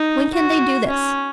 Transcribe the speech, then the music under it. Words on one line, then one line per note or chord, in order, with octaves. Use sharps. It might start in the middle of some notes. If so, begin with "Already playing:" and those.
When can they do this?'
Already playing: D#4
F#4
C#4